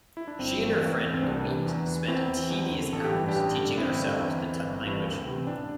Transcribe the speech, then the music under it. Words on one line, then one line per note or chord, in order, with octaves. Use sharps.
She and her friend Louise spent tedious hours teaching ourselves the Tut language.
E4
D4
G1 C4
G2 E3
E2
E3
C4
C2 D4
C3 E3
E2
E3
E2 C4 E4
E3
E2
D3
A1 A4
G4
G2 E3 E4
D4 G4
A1
G2 D3
D4
A1 C4 E4
G2 D3
E2
E3
G1
G2 E3
D2
C3 E3
C4
A1 D4